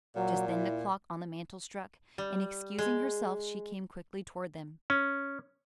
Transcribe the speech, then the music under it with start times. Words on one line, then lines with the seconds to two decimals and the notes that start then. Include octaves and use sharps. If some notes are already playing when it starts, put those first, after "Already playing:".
Just then the clock on the mantel struck, and excusing herself she came quickly toward them.
0.16 A#2 F#3
0.48 E4
2.18 G3
2.79 G#3
4.90 C#4